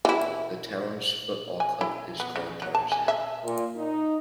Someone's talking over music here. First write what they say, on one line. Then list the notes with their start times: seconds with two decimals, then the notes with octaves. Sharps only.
The towns football club is called 'Tarzan'.
0.05 E3 E4
1.60 G#5
1.81 E4
2.20 B3
2.36 C#3
2.62 F#3
2.75 A5
2.92 G#5
3.08 E5
3.43 A#2
3.75 D#4